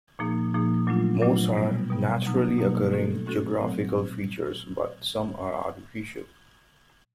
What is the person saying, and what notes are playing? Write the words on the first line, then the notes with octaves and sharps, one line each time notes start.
Most are naturally occurring geographical features, but some are artificial.
A#2 F3 A#3 D#4 G#4
A#2 F3 A#3 D#4 G#4
A#2 F#3 A3 D4 F4
A#2 F#3 A3 D4 F4
B2 G3 B3
B2 G3 B3
B2 F#3 A#3 D#4
B2 F#3 A#3 D#4
A3 C#4 F#4 A4
A3 C#4 F#4 A4
A#2 F#3 A3 C4